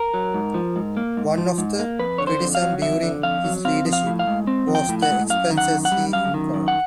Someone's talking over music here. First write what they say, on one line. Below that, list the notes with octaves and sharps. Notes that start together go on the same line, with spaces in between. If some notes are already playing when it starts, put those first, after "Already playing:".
One of the criticisms during his leadership was the expenses he incurred.
Already playing: A#4
F#3
G#2
F3
G#2
A#3
G#2
F3
G#2
A#3
F2 B4
D3 C#5
C5
F2
F5
F#3
F2 E5
D3
F2 F5
F#3
C4 F5
F3
F5
A2
F5
G#3
C4
F3
G5
A2
F#5
G#3
F#2 F5
D#3
F#5
F#2
F#5
G3
F#2 F5
D#3
F#2
F#5